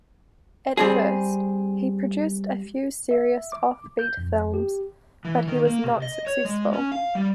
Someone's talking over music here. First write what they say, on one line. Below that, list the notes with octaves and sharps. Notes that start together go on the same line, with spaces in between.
At first, he produced a few serious offbeat films, but he was not successful.
G3 C4 G#4
E5
D6
G6
F2
G4
E3
D#3
A#3
C3
D#5
C#5
G#3
C#4
F5
G3